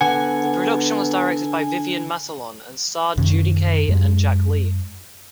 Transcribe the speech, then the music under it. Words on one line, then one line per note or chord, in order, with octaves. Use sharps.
The production was directed by Vivian Matalon and starred Judy Kaye and Jack Lee.
D3 B3 F#5 G#5
F#2 C3 D#3 C#4
F#2 G#3